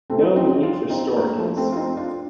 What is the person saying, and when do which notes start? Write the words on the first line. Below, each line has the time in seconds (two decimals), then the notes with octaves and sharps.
No need for stories.
0.10 A3 C4
0.36 C4 D#4
0.62 D4 F4
0.90 C4 D#4
1.17 A#3 D4
1.37 F3 A3
1.57 A3 C4
1.72 F4
1.77 C4 D#4
1.97 D4 F4